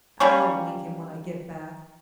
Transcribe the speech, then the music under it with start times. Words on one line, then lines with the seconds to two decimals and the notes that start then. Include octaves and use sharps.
I'll wink him when I get back.
0.20 G3 A#3 C#4 C#6